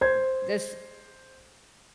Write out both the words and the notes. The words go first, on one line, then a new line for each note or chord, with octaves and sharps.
and this
C5 G#6